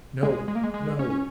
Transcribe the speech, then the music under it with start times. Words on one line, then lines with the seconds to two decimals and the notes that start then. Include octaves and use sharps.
No, no.
0.23 G#3
0.48 G#3
0.55 A#3
0.63 G#3
0.74 G#3
0.99 C#4
1.10 C#4